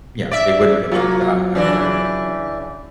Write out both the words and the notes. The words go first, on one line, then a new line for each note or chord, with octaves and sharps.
yeah, they would eventually die after, you know,
D5 E5
C3 F#3 A#3 F4
C#3 E3 D4